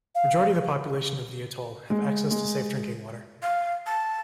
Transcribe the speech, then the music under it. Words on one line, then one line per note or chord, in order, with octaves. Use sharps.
Majority of the population of the atoll have access to safe drinking water.
F5
G#3
G#3
F5
A5